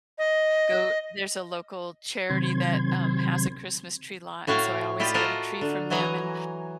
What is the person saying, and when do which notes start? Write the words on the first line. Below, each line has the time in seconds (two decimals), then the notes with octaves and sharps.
go there's a local charity that, um, has a Christmas tree lot and so I always get a tree from them, and
0.18 D#5
2.30 C3 D#3 F#3 C4 C6 G#6
4.47 A2 F#4 C#5 F5 G5
5.00 E4 F4 G4 D5 D#5
5.14 F4 F#4 A4 A#4 D#5
5.61 D3
5.90 E3 F#3 D#5 G#5 A#5